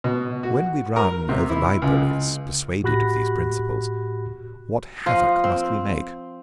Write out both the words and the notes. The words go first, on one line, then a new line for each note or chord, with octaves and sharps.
When we run over libraries, persuaded of these principles, what havoc must we make?
B2
F#4
A#4
C3
E4
C#2
A2 F#4 G4 B5 F#6 A#6
F3 F4 D#5
C4